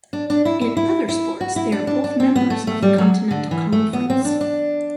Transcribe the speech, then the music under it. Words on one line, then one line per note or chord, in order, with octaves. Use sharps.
In other sports they are both members of the Centennial Conference.
D4
D4
E4
E4
E4
E4
F#4
E4
D4
D4
D4
C4
B3
A3
A3
G3
F#3
D3
E3
A3
B3
C4
D4
D4